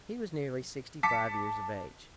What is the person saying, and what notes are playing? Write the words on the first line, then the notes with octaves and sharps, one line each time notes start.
He was nearly sixty-five years of age.
A5 D6 B6 C#7